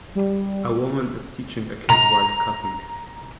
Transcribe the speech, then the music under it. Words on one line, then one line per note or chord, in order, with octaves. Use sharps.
A woman is teaching a kid while cutting.
G3
A#5 F7